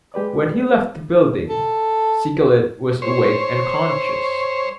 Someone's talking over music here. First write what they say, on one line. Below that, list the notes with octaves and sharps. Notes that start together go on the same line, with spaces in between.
When he left the building, Sigalet was awake and conscious.
G#3 G4 B4 D5
A4
C5 C#5